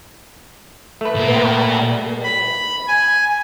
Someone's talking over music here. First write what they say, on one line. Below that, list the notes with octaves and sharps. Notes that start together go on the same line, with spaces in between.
yeah, I I really like that you said that,
A3 B4
A#2 A#3
B5
G#5